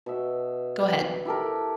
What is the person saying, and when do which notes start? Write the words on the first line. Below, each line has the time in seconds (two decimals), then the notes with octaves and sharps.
Go ahead.
0.06 B2 E5
0.84 B4
1.25 E4 G4 A4 A#4